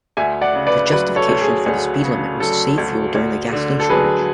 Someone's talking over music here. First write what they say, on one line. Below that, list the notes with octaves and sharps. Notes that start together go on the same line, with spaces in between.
The justification for the speed limit was to save fuel during the gasoline shortage.
D2 E5 G#5
D5 F#5
C#3
B4 D5
F#3 B4 D5
A4 C#5
D2
G#4
D2 G#4
C#3
F#3 A4
D2
D2
D3
A4
F#3 G#4 B4